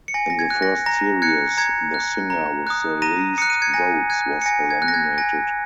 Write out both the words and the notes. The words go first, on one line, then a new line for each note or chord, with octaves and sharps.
In the first series, the singer with the least votes was eliminated.
C#7
G#5 A#6
A#6
G#6
F#6
A#6
A#5 A#6
F#6 G#6 C#7
A#5 G#6 C#7
F#6
A#5
D#6 F#6
A#5 A#6 D#7
D#6 F#6 C#7
D#7
G#6 C#7
G#5 A#6
F#6 G#6
C#7
G#5 A#6
G#6
F#6
A#6
G#6
G#5 A#6